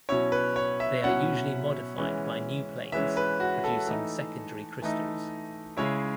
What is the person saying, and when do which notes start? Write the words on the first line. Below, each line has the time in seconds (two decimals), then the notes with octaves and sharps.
They are usually modified by new planes, producing secondary crystals.
0.09 B2 F#3 C#4 E4 C#5
0.32 B4
0.56 C#5
0.80 E5
1.03 B2 F#3 C#4 E4 F#5
1.98 E3 G#3 C#4
2.92 E3 G#3 C#4 E5
3.17 B4
3.40 F#4
3.64 A4
3.87 E3 A3 D#4
4.82 E3 A3 D#4
5.77 C#3 G#3 C#4 E4 C#5